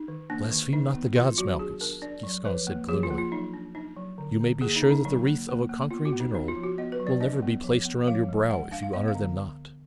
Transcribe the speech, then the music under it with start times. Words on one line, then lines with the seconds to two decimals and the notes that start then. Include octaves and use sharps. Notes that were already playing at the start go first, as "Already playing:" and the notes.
"Blaspheme not the gods, Malchus," Giscon said gloomily; "you may be sure that the wreath of a conquering general will never be placed around your brow if you honour them not."
Already playing: D#4
0.08 D#3
0.30 A#3 D4
0.51 D#3
0.73 D#3 D#4
0.94 B3
1.16 D#3 F4
1.38 F#3 F#4
1.59 D4 G#4
1.81 D4 A#4
2.02 D4 D5
2.23 F#3
2.45 F3 B4
2.67 A#3
2.88 F3 G#4
3.03 F4
3.11 A#3
3.18 F4
3.32 F#3 D#4
3.54 D4
3.75 D4 D#4
3.97 F#3
4.18 D3
4.40 D3
4.61 A#3 G#4
4.76 D#4
4.83 D3
4.91 D#4
5.05 F#3 D#4
5.27 A#3
5.49 A#3
5.70 A#3
5.91 B3 F4
6.05 F#4
6.13 B3
6.20 D#4
6.34 B3 D#4
6.48 F4
6.56 F3
6.63 F#4
6.78 B3 D#5
6.92 B4
7.00 F#3
7.07 D5
7.21 D4 D#5
7.42 B3
7.64 F3
7.85 B3
8.07 F3 F5
8.29 G#3
8.50 G#3 F#5
8.71 D4 F5
8.83 F5
8.93 B3 D#5
9.08 F5
9.15 D3